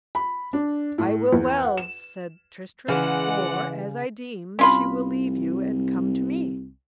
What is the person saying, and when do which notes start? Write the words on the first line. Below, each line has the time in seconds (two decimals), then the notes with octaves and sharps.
I will well, said Tristram, for, as I deem, she will leave you and come to me.
0.15 B5
0.53 D4
0.98 A2
1.33 E2
1.65 F#5
1.77 E7
2.88 C#3 E3 G#3 D5 F#5
4.59 C2 C#4 F4 B5